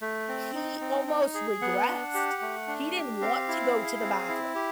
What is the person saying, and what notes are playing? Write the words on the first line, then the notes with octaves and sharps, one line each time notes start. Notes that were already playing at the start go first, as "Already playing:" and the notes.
e he almost regressed. He didn't want to go to the bathroom.
A3
C4
D#4
C4
D#4
G#4
B3 F#5
D4
G4
A3
D4
G4
C4 F5
E4
G#4
C4
E4
G4